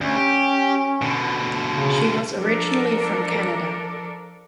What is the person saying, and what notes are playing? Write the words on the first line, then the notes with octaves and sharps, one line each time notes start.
She was originally from Canada.
D2 C#4
G4
B2 D3
C#3
F3 D4 A4 A#4